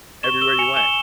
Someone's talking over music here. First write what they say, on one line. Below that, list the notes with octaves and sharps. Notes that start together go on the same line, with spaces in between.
Everywhere you went.
C#6 E7 G7
E6 E7 G7
G#5 C#7 F7
G#5 E7 G7